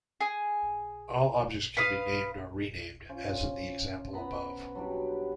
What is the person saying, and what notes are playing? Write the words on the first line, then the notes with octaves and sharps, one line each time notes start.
All objects can be named or renamed, as in the example above.
G#4
B4 F5 D#6
C#4 F4 C5
B3 B4 A#5 B5
F#3 G3 D4 G4